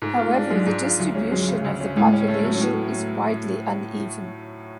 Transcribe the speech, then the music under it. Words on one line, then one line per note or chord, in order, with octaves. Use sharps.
However the distribution of the population is widely uneven.
G#2 A3
B3
F4
A3
G#3 D4
F#3 G#3
G#2
F4
D2 F#3
G#3 C#4
F#3 G#3
C#3
D2
C#4
A2 G#3
A3
G#3 C#4
A3
F#3
C#4
A2 B3
A3